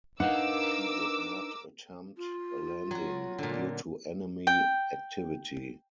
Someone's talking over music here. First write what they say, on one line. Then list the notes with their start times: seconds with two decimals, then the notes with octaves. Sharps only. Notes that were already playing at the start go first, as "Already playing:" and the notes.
She did not attempt a landing due to enemy activity.
0.20 D4 D#4 A#4 B4 F5 F#5 D6 E6
2.17 F4
2.91 F#3 F#4
3.38 A#2 D3
4.47 G5